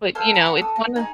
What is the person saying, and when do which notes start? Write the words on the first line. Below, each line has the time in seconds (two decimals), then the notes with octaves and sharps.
But, you know, it's one of
0.15 A4 C5 F5 G#5
0.34 A#5 B5
0.46 F#5
0.58 A4 D#6
0.76 D#5
0.96 D#4 G#4 G#5